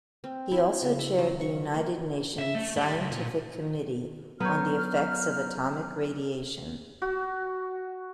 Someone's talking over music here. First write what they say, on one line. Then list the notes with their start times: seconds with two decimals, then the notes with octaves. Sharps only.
He also chaired the United Nations Scientific Committee on the Effects of Atomic Radiation.
0.24 C4
0.52 E4
0.82 C#3
0.99 E5
1.18 F#3
1.41 C#6
1.74 A#3
2.38 E5
2.55 A3
2.77 G3
2.94 C#2
3.11 A#2
4.40 F#3 B3 C#5 A#5 F6 G6
7.02 F#4